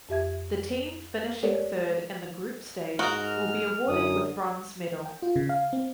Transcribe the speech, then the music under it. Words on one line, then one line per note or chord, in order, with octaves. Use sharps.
The team finishing third in the Group Stage will be awarded with bronze medal.
F2 G4 E5 G#6
G#3 G4 A4 A#4 C#5 D5
G#2 D#4 F#4 A#4 F6
F#2 D3 D#6
G5
F4
C#3
F5
C4